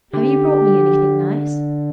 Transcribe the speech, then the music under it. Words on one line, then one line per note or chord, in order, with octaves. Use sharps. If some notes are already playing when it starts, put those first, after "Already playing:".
Have you brought me anything nice?'
D3 G4